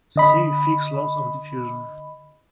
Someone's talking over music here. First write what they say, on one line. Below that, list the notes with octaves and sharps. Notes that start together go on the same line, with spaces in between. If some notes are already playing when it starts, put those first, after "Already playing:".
See Fick's laws of diffusion.
D3 D#5 B5